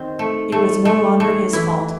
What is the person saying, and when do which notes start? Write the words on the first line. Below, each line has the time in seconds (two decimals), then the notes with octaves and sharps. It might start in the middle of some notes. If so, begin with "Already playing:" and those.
It was no longer his fault.
Already playing: D#3 C4
0.19 A3
0.52 A3
0.85 A3
1.20 A3
1.53 E3 E4